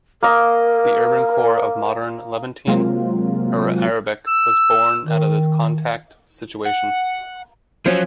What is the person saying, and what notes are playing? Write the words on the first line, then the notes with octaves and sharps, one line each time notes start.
The urban core of modern Levantine Arabic was borne out of this contact situation.
A#3 A#4 D#5
C3 F#3 G#3 A#3 C4 F4
E6
D#3
F#5
F3 F#3 C#4